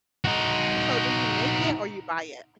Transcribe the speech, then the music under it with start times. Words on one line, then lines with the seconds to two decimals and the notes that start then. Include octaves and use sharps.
So do you make it or you buy it?
0.25 D#4 F#4